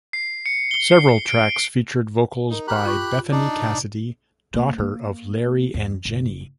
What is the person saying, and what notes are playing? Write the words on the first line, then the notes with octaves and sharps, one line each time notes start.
Several tracks featured vocals by Bethany Cassidy, daughter of Larry and Jenny.
C7
C#7
G7
C7
D7
D#4 A#4
G4 A#5 B5 D6 F6 F#6
F#2 F4 C#6
D4 D#4 D5
A2 C3
A#3
A#3
E2
F#1